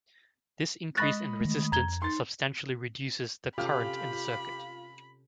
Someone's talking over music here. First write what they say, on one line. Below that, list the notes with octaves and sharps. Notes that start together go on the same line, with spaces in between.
This increase in resistance substantially reduces the current in the circuit.
G#3 D#5 B5 C#6 F#6 A6 A#6
D#3 A3
F2 A#5 G#6 G7
D#4 C6 A6
C3 C#4 F4 G4 A4 B5